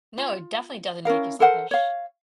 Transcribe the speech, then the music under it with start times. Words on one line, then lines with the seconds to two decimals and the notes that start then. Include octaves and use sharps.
No, it definitely doesn't make you selfish.
0.18 F4
1.05 C#4 E4 A#4 F5
1.40 A4 A#4 C5 F#5
1.71 C#5 F5